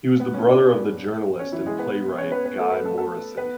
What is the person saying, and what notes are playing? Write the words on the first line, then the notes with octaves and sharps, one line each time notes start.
He was the brother of the journalist and playwright Guy Morrison.
B3 B4
C#4 C#5
D4 D5
C#4 C#5
E3 E4
G#3 G#4
B3 B4
C#4 C#5
B3 B4
B3 B4
A3 A4
B3 B4
A3 A4
A3 A4
B3 B4